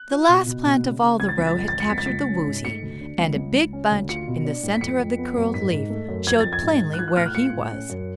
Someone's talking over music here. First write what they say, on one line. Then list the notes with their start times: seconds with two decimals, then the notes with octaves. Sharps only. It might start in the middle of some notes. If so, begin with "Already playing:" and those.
The last plant of all the row had captured the Woozy, and a big bunch in the center of the curled leaf showed plainly where he was.
Already playing: F#6
0.11 F4
0.29 B2
0.47 B2
0.65 B2
0.83 C#3
1.02 C#3
1.19 C#2 G#6
1.29 A6
1.38 C#2 B6
1.47 A6
1.55 F2
1.68 A6
1.74 F2
1.80 C#7
1.89 C#2 B6
1.98 A6
2.06 C#2 B6
2.29 C#4
2.46 G#2
2.65 A3 C#7
2.83 D2
3.01 D4
3.18 C#2
3.36 C#2
3.55 C#2
3.73 C#4
3.91 D2
4.09 F4 C#7
4.28 B2
4.45 D4
4.63 A2
4.74 B6
4.81 F2 C#7
5.00 F2
5.18 B3
5.36 F#2
5.54 G#2 B6
5.72 G#2
5.90 A3
6.09 F#2
6.27 F2 G#6
6.40 F2 A6
6.53 G#6
6.63 G#2
6.81 G#2
6.93 F#6
6.99 F4 G#6
7.08 F#6
7.17 A2 F6
7.26 F#6
7.35 F4 C#7
7.53 A2
7.72 C#4
7.90 F#2